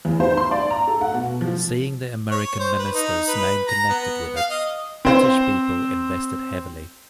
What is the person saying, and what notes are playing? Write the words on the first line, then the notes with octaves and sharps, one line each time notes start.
Seeing the American minister's name connected with it, British people invested heavily.
E2
C5
C6
D5
A#5
A4
F#5
B2
F3
C#5
C5
B4
D#4
B4
A#5
B3
F5
D#5
C4 C5